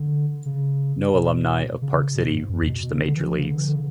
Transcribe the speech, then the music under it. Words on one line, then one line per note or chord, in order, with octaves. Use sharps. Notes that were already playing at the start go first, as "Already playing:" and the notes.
No alumni of Park City reached the major leagues.
Already playing: D3
C#3
B2
C#3
B2
G#2
F#2
E2
B2
B2
C#3
D3
E3
E3
C#3
D3
E3
D3
C#3